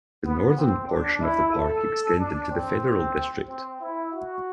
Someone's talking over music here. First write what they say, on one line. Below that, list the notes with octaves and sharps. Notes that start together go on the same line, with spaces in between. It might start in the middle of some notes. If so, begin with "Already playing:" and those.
The northern portion of the park extends into the Federal District.
B3
C4
D4
E4
A4
D4
C4
C4
E4
F#4